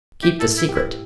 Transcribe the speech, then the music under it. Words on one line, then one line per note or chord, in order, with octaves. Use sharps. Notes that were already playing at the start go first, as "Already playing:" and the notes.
Keep the secret.
E4 G4
A4
A2
E4
G4
E4